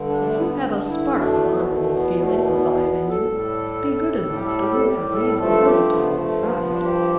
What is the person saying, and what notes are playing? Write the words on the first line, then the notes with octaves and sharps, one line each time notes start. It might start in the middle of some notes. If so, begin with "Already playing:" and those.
If you have a spark of honourable feeling alive in you, be good enough to move your leaves a little to one side.
Already playing: G2 D3
D4
A3
B3
D4
E4
E2 B2 A3 D4
B3
A3
B3
A3
B3
B3
B3
A4
A2 G3
G4
A4
G4
A4
G4
A4
G2 F3 A3 A4
F4
G4
B3
A3
B3
B3
D4
G4